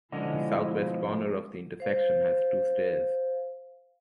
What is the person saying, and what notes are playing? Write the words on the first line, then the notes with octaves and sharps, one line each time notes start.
The southwest corner of the intersection has two stairs.
B2 D3 F3 G#3 C#4 E4 D#5
C5 F5